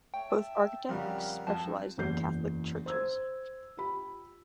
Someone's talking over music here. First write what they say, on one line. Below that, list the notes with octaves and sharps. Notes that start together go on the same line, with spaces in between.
Both architects specialized in Catholic churches.
A3 C#5 G5
E5 A5
F2 C#3 G3 A#4 F5 F#5
F2 A5
F#1 E2 G6 C7
C5 E6 G#6
F4 G4 B5